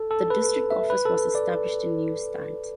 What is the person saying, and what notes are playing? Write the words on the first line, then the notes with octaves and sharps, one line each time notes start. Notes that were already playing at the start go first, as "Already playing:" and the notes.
The district office was established in Neustadt.
Already playing: A4
A4
B4
E5
B4
A4
D5